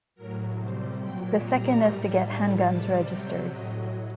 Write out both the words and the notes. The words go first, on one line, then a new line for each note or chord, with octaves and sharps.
The second is to get handguns registered.
A2 F#3 A#4
C3 G3 C5
A#2 F#3 G5
A#2 G3 A#5
A2 G3
A2 G3 A5
C3 G3 A5
C3 F#3 G5
A2 F#3 D#5